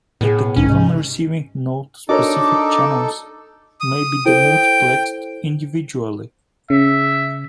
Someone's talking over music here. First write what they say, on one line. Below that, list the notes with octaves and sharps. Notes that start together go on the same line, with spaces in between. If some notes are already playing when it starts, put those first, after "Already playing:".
At a given receiving node, specific channels may be demultiplexed individually.
A2 B3 G#4
B1 G#2 C#4
C3 D#4
D4 D#4 F#4 A4 A#4 C#5 D#5 D6
D#6
E4 A4 C5 G5
C#3 E5